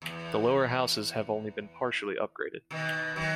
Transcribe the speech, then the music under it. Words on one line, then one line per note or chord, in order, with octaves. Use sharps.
The lower houses have only been partially upgraded.
E2
B2 D#3
D#3 F#3